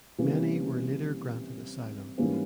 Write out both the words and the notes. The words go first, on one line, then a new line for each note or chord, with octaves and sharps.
Many were later granted asylum.
C3 E3 G3 A#3 C#4
G#2 E3 G3 A#3 C#4